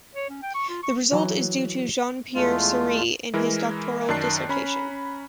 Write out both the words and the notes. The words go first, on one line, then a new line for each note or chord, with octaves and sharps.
The result is due to Jean-Pierre Serre in his doctoral dissertation.
C#5
C#4
G5
C#6
F4
C#6
E3 F#3
E2 G#3 A3 F4
E3 G#3 E4 A#4
F#2 D#3 D5 A5 F#6 C7
C#4 A#5 B5